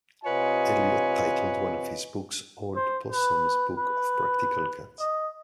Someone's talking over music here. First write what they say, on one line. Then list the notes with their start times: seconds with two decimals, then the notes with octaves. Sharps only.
Eliot titled one of his books "Old Possum's Book of Practical Cats".
0.24 C3 F4 B4 C#5 D#5 G#5
2.76 C5
3.12 B4
3.78 B4
5.00 D#5